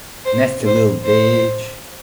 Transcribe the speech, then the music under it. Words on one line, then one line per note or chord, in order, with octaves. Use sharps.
Nasty Lil bitch!
C5
C5
C5